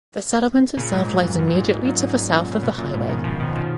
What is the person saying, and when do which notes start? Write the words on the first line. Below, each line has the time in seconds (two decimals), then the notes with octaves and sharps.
The settlement itself lies immediately to the south of the highway.
0.77 A#2 C#3
0.93 G#2
1.08 G#2
1.23 F#2
1.39 F#2
1.47 A#2
1.55 G#2
1.70 G#2
1.85 F#2 A#2
2.00 G#2
2.17 G#2
2.32 F#2 A#2
2.51 C#3
2.63 G#2 B2
2.78 F#2 A#2
2.93 G#2 B2
3.09 B2 D#3
3.24 C#3 F3
3.40 B2 D#3
3.55 C#3 F3